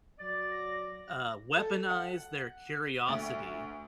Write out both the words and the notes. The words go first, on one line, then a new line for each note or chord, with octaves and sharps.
uh, "Weaponize their curiosity,"
F#3 D5 A6
A#6
A4
F#5
D2